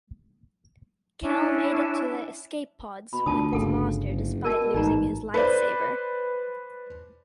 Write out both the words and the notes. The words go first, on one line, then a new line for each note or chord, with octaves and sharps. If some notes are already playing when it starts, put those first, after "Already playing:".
Cal made it to the escape pods with his master despite losing his lightsaber.
C#4 D4 E4
B2 B5
D2 D3 F4 A5 D#6
G1 C#3 A4 F#5
F#1
B2 A#4 D5 A5
A1 G#2 D#4 D5 A#5
B4 C5 D5